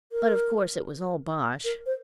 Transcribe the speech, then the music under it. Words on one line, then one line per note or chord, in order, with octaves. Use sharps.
But of course it was all bosh.
A#4
A#4
C5